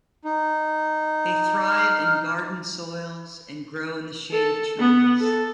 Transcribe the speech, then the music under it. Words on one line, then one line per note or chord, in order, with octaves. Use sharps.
They thrive in garden soils, and grow in the shade of trees.
D#4
F6
A4
B3
A4